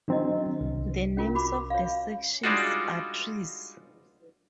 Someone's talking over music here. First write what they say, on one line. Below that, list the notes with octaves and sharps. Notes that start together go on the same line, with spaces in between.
The names of the sections are trees.
D#3 F#3 C4 D4 E4 D#5
C2
C#4 F4 A#4
F#4 B5 D6
C#5 F5
G3 G#3 D4 D#4 F4 F#4